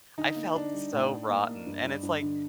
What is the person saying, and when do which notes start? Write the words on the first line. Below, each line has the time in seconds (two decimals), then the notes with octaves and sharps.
I felt so rotten. And it's like,
0.18 D3 D#4
0.36 A#3
0.55 D3 D4
0.73 G3
0.93 A2
1.10 A2
1.29 A#3
1.48 A#3
1.67 G2
1.85 G2
2.03 G2
2.22 D3